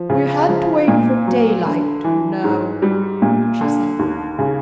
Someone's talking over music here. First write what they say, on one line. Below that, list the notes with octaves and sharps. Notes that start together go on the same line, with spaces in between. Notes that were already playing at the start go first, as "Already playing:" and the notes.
"We had to wait for daylight, you know," she said.
Already playing: F3
C#3
F3
A#2
F#3
D3
E3
G#2
G3
A#2
D3
D#2
C#3